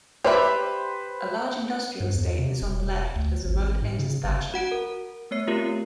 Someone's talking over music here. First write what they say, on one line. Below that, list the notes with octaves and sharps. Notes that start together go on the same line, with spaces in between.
A large industrial estate is on the left as the road enters Thatcham.
G4 B4 C5 D5 E5
G2
E2
C3
E1
D2
G#1
G#2
C#3
G1
F#4 F#5 D7
A#4
A3 B3 C#5 C7
A3 C4 F4 G4 A#4